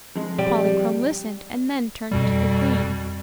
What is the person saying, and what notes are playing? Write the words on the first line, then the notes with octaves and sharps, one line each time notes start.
Polychrome listened and then turned to the Queen.
F2 G#3
G3
F2 B2 G3